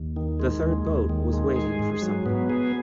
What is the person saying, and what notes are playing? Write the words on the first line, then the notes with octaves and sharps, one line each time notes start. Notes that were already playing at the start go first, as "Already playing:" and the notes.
The third boat was waiting for some one.
Already playing: D#2
D#3
G#3
D#2
D#2
D#3
G#3
G#4
G#2
F#3
B3
G#4